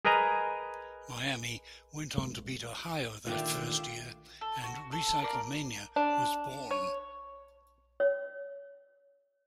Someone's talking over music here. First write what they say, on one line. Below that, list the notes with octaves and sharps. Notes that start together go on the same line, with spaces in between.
Miami went on to beat Ohio that first year and RecycleMania was born.
G#4 A#4 B4 D#5 G#5 A#5
A#2 D3 D#3 A3 F4 G4 E5
A4
F#4
A4
A#4 D5 F5
D4
C#5
C#5